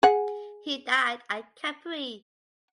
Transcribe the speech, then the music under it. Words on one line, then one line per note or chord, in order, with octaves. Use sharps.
He died at Capri.
G#4 F#5